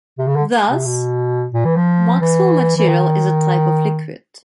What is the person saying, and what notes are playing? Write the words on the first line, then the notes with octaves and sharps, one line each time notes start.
Thus, Maxwell material is a type of liquid.
C3
C#3
D3
C3
B2
A#2
E3
F3
E3
E3
D#3